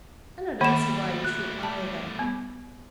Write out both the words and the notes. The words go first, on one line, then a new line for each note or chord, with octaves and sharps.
And I don't see why you should, either.
D#3 G3 A3 A#3 B5 E7
F#6
A5
B3